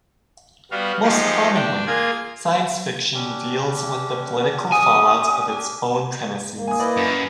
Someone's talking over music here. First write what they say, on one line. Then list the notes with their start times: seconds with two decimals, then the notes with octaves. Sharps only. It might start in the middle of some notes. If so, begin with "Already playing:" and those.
Most commonly, science fiction deals with the political fallout of its own premises.
0.71 G3 B3 F#4 F5
1.03 F3 G#3 D#4 G4
1.55 D4 G5
1.87 A#3 F4 G#4 A#4 G#6
3.15 C#4 D4 G4
4.72 G#5 D#6
6.55 A#3
6.67 G#5 D#6
6.79 E4 B4 D5 D#5
6.97 F#2